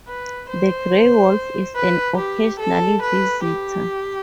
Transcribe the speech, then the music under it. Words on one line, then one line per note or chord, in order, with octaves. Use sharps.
The gray wolf is an occasional visitor.
B4
C5
B4
G4
A4
B4
G4